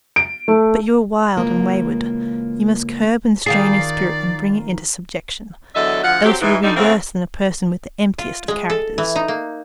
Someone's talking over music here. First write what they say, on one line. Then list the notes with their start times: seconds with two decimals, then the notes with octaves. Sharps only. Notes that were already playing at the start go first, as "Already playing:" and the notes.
But you are wild and wayward, you must curb and strain your spirit and bring it into subjection, else you will be worse than a person with the emptiest of characters.
0.16 D7
0.48 A3
1.36 C#3 E3 G#3 A#3 F4
3.46 D#3 F4 G#4 D5 C7
5.75 E2 D3 F#3 A4 D#5 E5
6.03 D2 F3 F4 F#5
6.25 F#3 C4 G4
6.41 G#2 E3
6.63 D3 G3 D#4
6.76 E2 C#3 A3 A#3 C4
8.18 F4
8.48 G#3
8.70 A4
8.98 E3
9.16 D#4
9.28 A#3